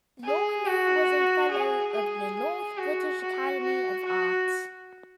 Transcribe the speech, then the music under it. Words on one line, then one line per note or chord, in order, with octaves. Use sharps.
Lorimer was a fellow of the North British Academy of Arts.
G#4
F#4
G#4
G#4
F#4
F#4
F#4
F#4